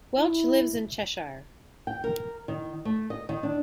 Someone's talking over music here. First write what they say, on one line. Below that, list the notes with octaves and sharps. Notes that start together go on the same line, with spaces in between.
Welch lives in Cheshire.
E4
G5
A#4
D#3
A3
D#5
D#3
D4